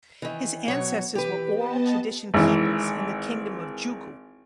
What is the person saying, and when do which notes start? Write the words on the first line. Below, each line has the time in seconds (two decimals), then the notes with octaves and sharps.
His ancestors were oral tradition keepers in the kingdom of Djougou.
0.22 D#3 E3
0.68 B2 F#3 C#5
1.15 E3 G4 B4
1.49 B3 D#5 A5
2.34 G#1 E3